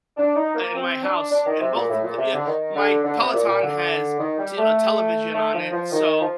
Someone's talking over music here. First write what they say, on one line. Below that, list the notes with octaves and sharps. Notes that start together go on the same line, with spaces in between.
in my house, and both of the yeah, my Peloton has t a television on it, so
D4
D#4
A#3
C4
D4
D4
D#3
C3
A#2
A2
A#2
C3
D3
D#3
D3
D3
C3
A#2
A#2
D3
D#3
G3
A3
A3
F3
F3
D#3
F3